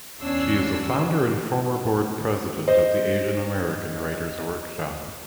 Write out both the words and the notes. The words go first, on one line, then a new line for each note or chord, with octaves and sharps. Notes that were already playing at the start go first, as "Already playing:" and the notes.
She is a founder and former Board President of the Asian American Writers' Workshop.
E2 C#4 D4 E6 C7
C5 D#5